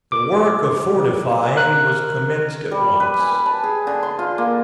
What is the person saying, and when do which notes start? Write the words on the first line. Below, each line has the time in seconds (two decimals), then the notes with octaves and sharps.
The work of fortifying was commenced at once.
0.12 D6
1.56 A#4 F#6
2.71 G3
3.00 B4
3.19 G#5
3.32 B4
3.46 A5
3.64 G#4
3.87 D3
4.03 C6
4.19 F4
4.38 A#3